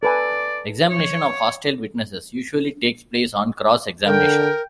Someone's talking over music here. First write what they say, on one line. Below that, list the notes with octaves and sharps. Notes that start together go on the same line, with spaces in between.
Examination of hostile witnesses usually takes place on cross-examination.
A4 B4 D5 G#5
C#5
D3 A#4 G5